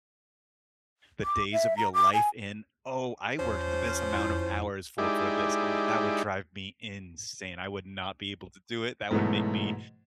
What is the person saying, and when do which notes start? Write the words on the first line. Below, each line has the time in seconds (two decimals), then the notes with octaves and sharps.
the days of your life in "Oh, I worked this amount of hours for for this." Oh, that would drive me insane, I would not be able to do it, that would make me
1.24 D6
1.53 E5
1.77 A#5
1.94 D6
2.14 G#5
3.39 E2 F3 C#4 C5
3.88 F6
4.12 F2 E4 C6
4.98 G#3 D#4 E4 G4 D5
9.11 G#2 B2 E3 F#3 A3